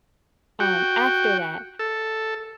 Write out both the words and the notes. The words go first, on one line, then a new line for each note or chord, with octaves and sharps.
um, after that.
F#4 G5
A4